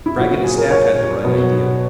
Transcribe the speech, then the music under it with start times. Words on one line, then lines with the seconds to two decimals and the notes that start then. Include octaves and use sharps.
Bragg and his staff had the right idea.
0.06 E4
0.17 A#2 F#3 F#4
0.31 F#4
0.44 G#4
0.58 A#4
0.71 C#5
1.24 B2 F#3